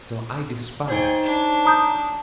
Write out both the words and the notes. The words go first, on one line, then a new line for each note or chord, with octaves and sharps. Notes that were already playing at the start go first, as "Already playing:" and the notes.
So I despise.
D#4 G#4 C5 C#5 G5
D4
A#5 D#6 G6